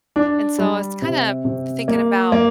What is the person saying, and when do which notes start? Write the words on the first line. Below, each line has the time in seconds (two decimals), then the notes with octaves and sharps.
And so I was kinda thinking about
0.16 D4
0.58 G3
1.02 C3
1.45 C3
1.88 A#3
2.32 A#3